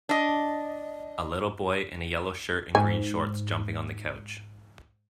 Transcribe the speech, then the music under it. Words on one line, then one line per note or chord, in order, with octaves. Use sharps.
A little boy in a yellow shirt and green shorts jumping on the couch.
D4 D#5
G#2 G#5